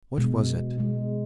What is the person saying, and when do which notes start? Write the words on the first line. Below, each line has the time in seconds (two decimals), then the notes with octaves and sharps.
What was it?...
0.18 B2 G#3
0.78 B2 G#3